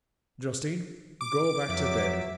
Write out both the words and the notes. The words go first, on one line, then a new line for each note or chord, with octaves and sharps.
Justine, go back to bed.
D6
F2 F#3 E5